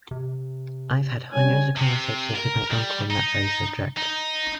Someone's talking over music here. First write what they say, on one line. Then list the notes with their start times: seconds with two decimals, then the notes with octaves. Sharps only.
I've had hundreds of conversations with my uncle on that very subject.
0.11 C3
1.33 G3 C#4 G#5
1.76 C3
2.36 A#4
2.71 G3
3.10 D#4
3.97 D#4